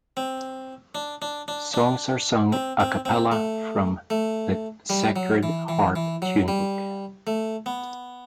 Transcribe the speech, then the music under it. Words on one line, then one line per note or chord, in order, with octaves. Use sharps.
Songs are sung a cappella from the Sacred Harp tunebook.
C4
D4
D4
D4
D4
C4
C4
C4
A3
A3
G3
F#3
E3
E3
E3
F#3
G3
A3
B3